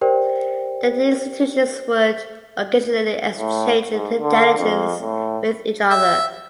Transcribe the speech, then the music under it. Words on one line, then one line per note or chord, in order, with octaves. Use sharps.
The two institutions would occasionally exchange intelligence with each other.
G4 A#4 C5 D5 G5
A2
G#2
D3
F2
A2
E5